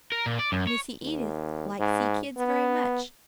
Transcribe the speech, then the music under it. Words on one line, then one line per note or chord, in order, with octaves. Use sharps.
Missy Edith like see kids very much.
A#4
A#2
D5
F#2
C#5
D#2
G#2
B3